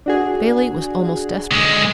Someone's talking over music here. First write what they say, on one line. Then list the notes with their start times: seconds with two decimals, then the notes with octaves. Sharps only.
Bailey was almost desperate.
0.06 D4 F#4 G#4
1.51 D3 G#3